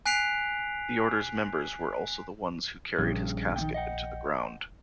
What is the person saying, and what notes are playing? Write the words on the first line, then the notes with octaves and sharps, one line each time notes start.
The order's members were also the ones who carried his casket into the ground.
G#5 F#6 B6 C7 D7 F7
A#1 G2 C#3
D#3 A#3 G5
D#5 F#5 G5